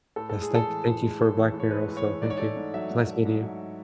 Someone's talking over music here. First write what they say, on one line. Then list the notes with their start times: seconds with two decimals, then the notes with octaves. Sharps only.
Yes, thank thank you for Black Mirror, also. Thank you. It's nice meeting you.
0.16 A2 A4
0.30 G#3 A4
0.42 G#4
0.51 A2 A4
0.68 E3
0.85 A2
1.02 G#3
1.19 A2
1.37 E3
1.54 A2
1.60 C#5
1.71 G#3 B4
1.88 A2
1.97 C#5
2.05 E3
2.22 G#2 D5
2.30 C#5
2.37 A3 D5
2.57 G#2
2.74 F#3 E5
2.90 G#2
3.08 A3
3.25 G#2
3.43 F#3